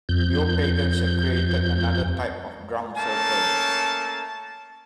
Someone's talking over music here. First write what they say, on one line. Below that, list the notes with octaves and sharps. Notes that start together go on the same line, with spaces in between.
Neopagans have created another type of drum circle.
F2 G6
A3 A#3 C#4 A5